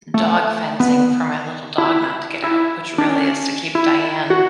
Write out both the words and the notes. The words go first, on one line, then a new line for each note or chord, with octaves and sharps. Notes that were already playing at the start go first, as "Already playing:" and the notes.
dog fencing for my little dog not to get out, which really is to keep Diane
A3
B3
E4
E4
D4
C#4
E4
F#4